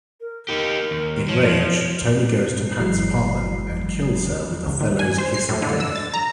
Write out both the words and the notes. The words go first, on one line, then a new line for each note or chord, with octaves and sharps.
Enraged, Tony goes to Pat's apartment and kills her with Othello's kiss of death.
A#4
D#4 G4 A#4
D#2
F3 C#5
G1 E3 F#3 G#3 C7
C#2
D#3
G#5
C5
C7
A2
D3
E6
A6
A#5